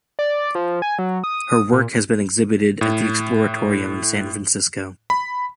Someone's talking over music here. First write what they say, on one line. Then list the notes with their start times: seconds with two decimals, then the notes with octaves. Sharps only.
Her work has been exhibited at the Exploratorium in San Francisco.
0.19 D5
0.55 F3
0.82 G#5
0.99 F#3
1.24 D#6
1.72 A#2
2.81 A2
5.10 B5